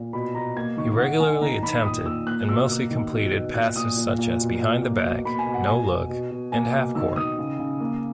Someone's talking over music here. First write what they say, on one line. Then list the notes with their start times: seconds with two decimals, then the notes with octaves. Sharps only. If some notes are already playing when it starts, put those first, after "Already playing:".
He regularly attempted, and mostly completed passes such as behind-the back, no-look and half-court.
Already playing: A#2
0.13 B2 B5
0.35 B2 A#5
0.56 A#3 G#6
0.77 D#3 C#6
0.99 D#3 F#5
1.20 D#3 G#5
1.41 D#3 A#5
1.63 D#3 B5
1.83 A#2 D#6
2.05 A#2 E6
2.26 A#3 F#6
2.48 B2 E6
2.70 A#3
2.91 D#3
3.12 B2
3.33 B2
3.54 A#2 F#6
3.76 A#2 D#6
3.97 A#2
4.19 A#2
4.40 B2
4.61 B2
4.83 A#3
5.03 B2
5.24 A#3 B5
5.39 G#5
5.46 B2
5.54 F#5
5.67 B2 G#5
5.89 B2
6.10 B2
6.31 B2
6.52 A#3 G#5
6.74 B2
6.95 D#3 E6
7.16 D#3 D#6
7.38 C#3
7.59 C#3
7.80 A#3